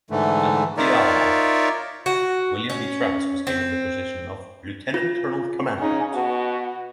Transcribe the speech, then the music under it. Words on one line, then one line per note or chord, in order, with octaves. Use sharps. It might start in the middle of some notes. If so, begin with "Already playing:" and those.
At the Alamo, William B. Travis was given the position of lieutenant colonel commandant.
G#2 D3 E3 A3
D#4 F4 A#4 C#5 D5 E5
F#4
C#4
C4
F4
C#3 C#4 D#4
B2 F#4